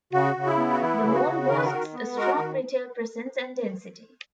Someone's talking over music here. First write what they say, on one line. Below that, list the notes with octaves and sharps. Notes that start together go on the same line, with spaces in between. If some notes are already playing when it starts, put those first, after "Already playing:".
The mall boasts a strong retail presence and density.
C#3 F#4
C#3
E4
B3
F#4
E3 E4
C#3
F#4
C#3
D#3 A#4
B4
F#4 A#4
D#3
B3
G#3 F#4 A#4
D#3